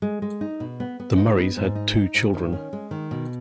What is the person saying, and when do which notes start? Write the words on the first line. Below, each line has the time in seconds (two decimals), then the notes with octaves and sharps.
The Murrays had two children.
0.02 G#3
0.22 G#3
0.41 D#4
0.60 B2
0.80 B3
1.00 B3
1.18 D#4
1.38 B3
1.57 G#2
1.75 D#4
1.96 D#4
2.14 G#2
2.34 D#3
2.52 C#4
2.73 G#3
2.91 D#3
3.11 B2